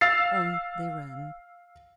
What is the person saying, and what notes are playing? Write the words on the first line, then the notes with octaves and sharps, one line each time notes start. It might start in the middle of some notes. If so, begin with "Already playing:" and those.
On they ran.
F5 E6 A6 C7